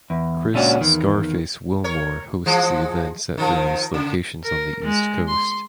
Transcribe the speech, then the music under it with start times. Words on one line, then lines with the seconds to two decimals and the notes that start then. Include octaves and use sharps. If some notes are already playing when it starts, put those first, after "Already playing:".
Chris "Scarface" Wilmore hosts the events at various locations on the east coast.
0.10 E2
0.54 C#2 A#2 C#4 D4 F#4
0.81 E2 D#3
1.84 A#4 C#5
2.46 E3 F3 G#3
3.38 D#3 F3 A#4
3.94 C#3
4.44 A#4
4.84 G#3
5.28 C6